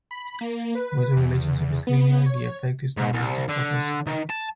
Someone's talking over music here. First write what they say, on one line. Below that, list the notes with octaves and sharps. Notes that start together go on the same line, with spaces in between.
Where the relationship is linear, the effect is known as the Pockels effect.
B5
A#3
B4
E2
B3
C#5
G#2
C2
D3
D#3
A5